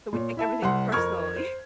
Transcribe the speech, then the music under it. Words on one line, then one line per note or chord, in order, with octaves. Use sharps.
So we take everything personally.
A#2 C#5
E4 E5 A5
C2 F#5 C6
F2 A#4 C#6 F6 G#6
C5